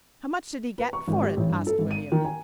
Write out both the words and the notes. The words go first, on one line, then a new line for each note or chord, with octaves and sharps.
"How much did he get for it?" asked William.
B4
C#6
G#1
G4
A1
G2
A4
G#1
D#7
D#3
G#5